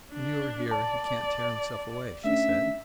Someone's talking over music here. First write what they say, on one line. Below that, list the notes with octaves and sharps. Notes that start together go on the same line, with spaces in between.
"When you are here he can't tear himself away," she said.
D4
D5 A5
A3 C#4 D4 E5